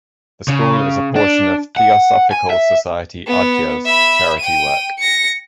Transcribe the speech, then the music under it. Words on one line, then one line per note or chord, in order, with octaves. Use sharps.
The school is a portion of Theosophical Society Adyar's charity work.
C#3
D4
F#5
G#5
E5
B3
E5 B5
G5 D#7
A#6 C#7